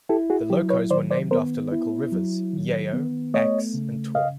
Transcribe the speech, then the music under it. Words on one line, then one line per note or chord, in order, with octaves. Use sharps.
The locos were named after local rivers: "Yeo", "Exe", and "Taw".
E4 G4 A4
F#4 G#4
F#3 G4
B4 C#5
D#3 C5 D5
C5 D5
B3 A#4 C5
E4
F#3
D#3
B3
A3 C#5 D#5
C#3
D#5 F5